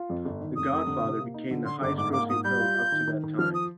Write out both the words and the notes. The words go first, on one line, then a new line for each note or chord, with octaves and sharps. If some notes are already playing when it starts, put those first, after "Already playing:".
"The Godfather" became the highest-grossing film up to that time.
Already playing: F4
F2
G1
D#3
F1 D#6
F1
D3
C3
A#3
D#4
D3
D3 C6
G1 D6
G#2 D6
A#3 D6
G#2 D#6
G3 G6
F4
F4
D#3
D#3
D#3
F3 F6
D#6